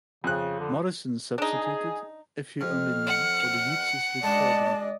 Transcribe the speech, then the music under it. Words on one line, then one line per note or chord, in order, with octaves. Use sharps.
Morrison substituted "If You Only Knew" for the Yeats' recording.
F2 C#3 F#6
D3
D4 D#4 G#4
F2 F6
F#5
G#3 D4 D5 D#5 A5